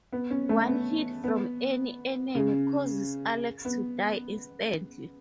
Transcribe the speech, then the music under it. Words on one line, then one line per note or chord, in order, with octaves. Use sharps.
One hit from any enemy causes Alex to die instantly.
B3
C#4
A3
B3
B3
C#3
B3